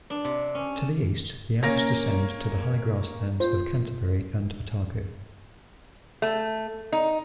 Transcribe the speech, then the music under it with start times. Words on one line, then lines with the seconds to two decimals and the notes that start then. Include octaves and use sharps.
To the east, the Alps descend to the high grasslands of Canterbury and Otago.
0.10 D4
0.24 C3
0.55 C#4
0.76 A5
1.63 A#3 C#4 A#4 A#6
3.40 F4 C5
6.22 A3
6.92 D#4